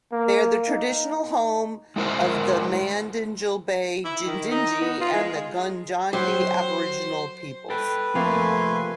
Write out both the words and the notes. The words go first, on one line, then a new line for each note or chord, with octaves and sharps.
They are the traditional home of the Mandingalbay Yidinji, and the Gungandji Aboriginal peoples.
A#3
D#4
G#3 E4 A#4 C5
E4
D#3
D#4
B3
F4
G#3
F#3 G4 C5
A4 B4 G5
C3 F3 A3 A#3 C4 A4 G#5 C6